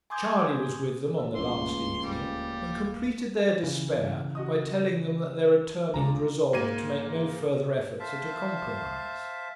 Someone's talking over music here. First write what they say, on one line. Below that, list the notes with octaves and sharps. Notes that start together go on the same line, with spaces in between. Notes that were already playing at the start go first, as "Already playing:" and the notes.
Charley was with them on the last evening, and completed their despair by telling them that their attorney had resolved to make no further efforts at a compromise.
G#5 C6 D6 D#6 G6 G#6
D2 E6
D1 C#2 F3 A3 A#3 C6
G3
C#3 E3
F#4 D#5 D#6
D1 C#3 G#3 D4 F4 A#5
G#2 A#3 G#6 D#7
C5 E5 F5 A5